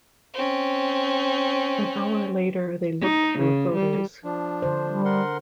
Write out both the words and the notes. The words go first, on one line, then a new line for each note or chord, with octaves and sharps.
An hour later they looked through photos.
C4 C#4
D#4
C#3
G3
F3 D4
D3 C5
G3
A#4 F#5 C6